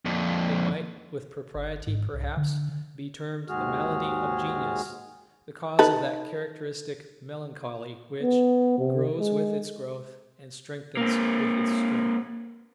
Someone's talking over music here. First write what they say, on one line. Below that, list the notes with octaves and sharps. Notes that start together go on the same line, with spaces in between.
It might with propriety, perhaps, be termed the malady of genius; the cause of that characteristic melancholy which "grows with its growth, and strengthens with its strength."
F2 A#2
G1
G#2
C2
D3
D#2 G#2 G#3 F#4 G#4 F6
D#4 A4 B4
B3
C3
G#3
A#3 C4